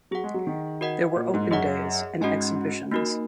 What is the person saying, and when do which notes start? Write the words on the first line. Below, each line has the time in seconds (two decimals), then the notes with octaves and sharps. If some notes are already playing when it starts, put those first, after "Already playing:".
There were open days and exhibitions.
0.11 F#3 G#4 F#5
0.24 G#3
0.34 F#3
0.47 D#3
0.81 F#4 A#4 D#5 F#5
1.16 A#2
1.34 G#2
1.51 F#2 G#4 D#5 F#5
2.21 G#2 C#4 F#4 D#5 G#5
2.92 A#3 D#4 F#4 A#4